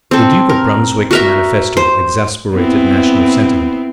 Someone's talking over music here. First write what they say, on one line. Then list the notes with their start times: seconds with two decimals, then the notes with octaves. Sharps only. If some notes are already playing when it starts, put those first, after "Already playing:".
The Duke of Brunswick's manifesto exasperated national sentiment.
0.11 C4 A4
0.49 A#4
1.11 F#4 A#4 E5
1.77 C5
2.52 B3 C4 E4